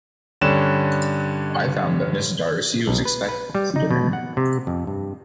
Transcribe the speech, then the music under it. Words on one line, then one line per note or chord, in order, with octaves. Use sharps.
I found that Miss Darcy was expected to dinner.
G2 D3 C#4 E7
B1
B4
B4
G3
D#4
B2
F#5
C3
F2
G2